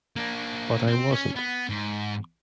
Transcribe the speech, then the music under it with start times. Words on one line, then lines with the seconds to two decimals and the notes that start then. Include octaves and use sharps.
But I wasn't.
0.16 A#3 D4
0.88 C4
1.12 C#4
1.36 B3
1.69 G#2